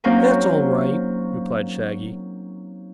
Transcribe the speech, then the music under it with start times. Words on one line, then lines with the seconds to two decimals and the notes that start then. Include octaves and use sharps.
"That's all right," replied Shaggy.
0.04 F#3 A#3 C4 C#4 D#4